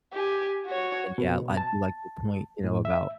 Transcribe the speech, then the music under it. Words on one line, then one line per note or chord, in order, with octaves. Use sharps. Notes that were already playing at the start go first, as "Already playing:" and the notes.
And yeah, I do like the point, you know, about,
G4 G#5
F#4 C#5
B2
A5
A2
E5